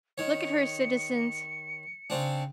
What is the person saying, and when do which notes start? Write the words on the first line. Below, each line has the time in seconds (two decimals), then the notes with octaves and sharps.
Look at her, citizens!
0.18 D#3 C#5 C#7
2.10 C#3 C4 D4